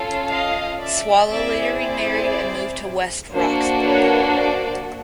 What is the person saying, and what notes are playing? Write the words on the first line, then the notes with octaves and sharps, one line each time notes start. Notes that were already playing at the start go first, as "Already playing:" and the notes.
Swallow later remarried and moved to West Roxbury.
Already playing: C#4 F4 A4
D#5 F5
D5 E5
C4 E4 G#4 D5 E5
C5 D5
A#3 D4 F#4 C5
B4 C#5
C5 D5